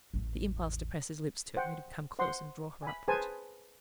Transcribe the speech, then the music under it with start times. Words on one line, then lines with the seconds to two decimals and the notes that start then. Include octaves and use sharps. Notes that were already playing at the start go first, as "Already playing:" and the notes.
The impulse to press his lips to it made him come close and draw her upward.
0.14 A1 E2
1.56 C5 F#5 G5
2.19 C5 F#5 C6
2.83 G#5 B5
3.08 G#4 B4 C5 G#5 A5